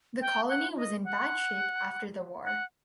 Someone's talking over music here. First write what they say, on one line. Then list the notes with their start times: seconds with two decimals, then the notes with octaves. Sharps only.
The colony was in bad shape after the war.
0.21 G5
0.49 F#5
0.77 D#5
1.05 F#5
2.44 F#5